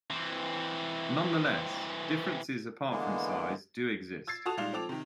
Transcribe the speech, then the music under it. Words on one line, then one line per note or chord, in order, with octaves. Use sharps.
Nonetheless, differences apart from size do exist.
E3 C4
D3 E3 G#3 A#3 B3
E6 G#6 A6 C7
F#4 A4 A5 D#6 E7 F7
A#2 G3 G#3 D#4 F5 F7
F3 C4 A4 D6 F7
C3 D#3